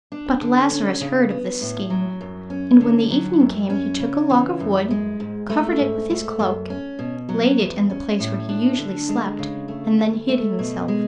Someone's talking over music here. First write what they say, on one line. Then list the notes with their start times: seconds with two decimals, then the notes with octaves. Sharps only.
But Lazarus heard of this scheme, and when the evening came, he took a log of wood, covered it with his cloak, laid it in the place where he usually slept, and then hid himself.
0.12 D4
0.41 D3
0.71 C#4
1.01 C#3
1.30 B3
1.61 A2
1.90 F#3
2.21 F#2
2.50 C#4
2.81 D3
3.11 F#3
3.40 F#2
3.70 C#4
4.00 C#3
4.30 E3
4.60 F#2
4.90 G#3
5.20 G#2
5.50 A3
5.79 G#2
6.10 A3
6.39 F#2
6.70 C#4
6.99 B2
7.29 F#3
7.60 E2
7.90 C#4
8.20 A2
8.49 D4
8.78 D3
9.09 G#3
9.39 C#3
9.68 A3
9.99 D2
10.29 A3
10.59 B2
10.88 G#3